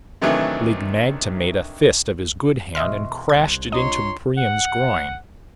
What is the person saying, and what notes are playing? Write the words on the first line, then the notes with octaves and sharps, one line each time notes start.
Lig-magte made a fist of his good hand and crashed it into Brion's groin.
C3 D#3 E3 F#3 A3 D4
B2 E3 D#5 E5 C6 C#6 F6
C2 F#6 G#6
D4 F4 C#5 D#5 A#5 C6
F#5